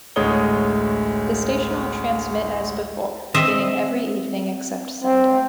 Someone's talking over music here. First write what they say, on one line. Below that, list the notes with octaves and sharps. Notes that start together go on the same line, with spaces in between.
The station will transmit as before beginning every evening, except Sunday.
A1 D2 G#3 C#5 D#6 G7
C4 D#5 E5
C4